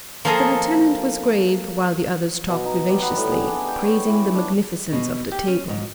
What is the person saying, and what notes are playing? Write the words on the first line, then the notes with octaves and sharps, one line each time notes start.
The lieutenant was grave while the others talked vivaciously, praising the magnificence of the table.
F3 A#3 F4 G#4 A4 D#5
B2
D#4
G3
B3
A2
G#4
D4
G5
C#5
E3
D4
B2
G4
C#4
G#2